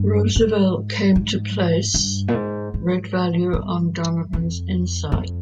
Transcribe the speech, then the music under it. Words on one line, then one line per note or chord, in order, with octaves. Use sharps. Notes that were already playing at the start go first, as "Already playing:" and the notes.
Roosevelt came to place great value on Donovan's insight.
Already playing: G2
G#2
G#2
G2
A#2
G#2
G#2
G2
F2
F2